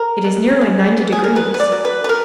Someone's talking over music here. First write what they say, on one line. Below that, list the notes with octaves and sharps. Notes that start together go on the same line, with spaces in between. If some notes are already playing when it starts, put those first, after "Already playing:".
It is nearly ninety degrees.
Already playing: A#4
B2
G#3
B3
G#4
A#4
F#3 B4
B4
D5
F#3
B4
B4
A#4